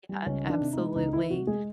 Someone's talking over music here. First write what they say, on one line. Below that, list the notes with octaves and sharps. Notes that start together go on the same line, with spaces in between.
Yeah, absolutely.
G3
C#2 C#4
D#3
D4
C3
G#3 D#4
C#2 D#4
D#3 E4
C3 F#4
G#3 G#4